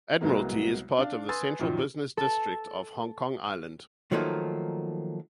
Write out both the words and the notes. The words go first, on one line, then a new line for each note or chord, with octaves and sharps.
Admiralty is part of the Central Business District of Hong Kong Island.
C2 F#3 G#3 A#3 B3
D4 F5
B4 G#5 C6 D#6 E6 A6
F#2 A#2 D#3 F3
A4
D#3 F3 F#3 A3 A#3 D#4